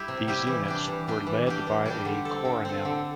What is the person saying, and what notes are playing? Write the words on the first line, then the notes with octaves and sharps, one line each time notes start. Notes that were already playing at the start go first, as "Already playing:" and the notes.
These units were led by a "coronel".
Already playing: G3 E4 G4
C3
G3 E4 G4
E3
G3 D4 G4
E3
G3 D4 G4
E3
G3 D4 G4
E3
G3 D4 G4
D3
C4 A4
D3
C4 A4
D3